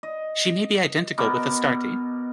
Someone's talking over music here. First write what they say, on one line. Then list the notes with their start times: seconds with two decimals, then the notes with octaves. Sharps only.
She may be identical with Astarte.
0.03 D#5
1.18 B2 B3 A#4 D6